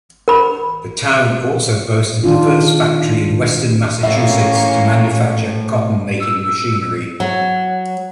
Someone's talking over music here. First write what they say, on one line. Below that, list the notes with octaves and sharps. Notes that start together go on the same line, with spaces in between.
The town also boasted the first factory in western Massachusetts to manufacture cotton-making machinery.
A#4 B5
D#3 D4 F4
A2 E3 A#3 C#4 E5
E6
F#3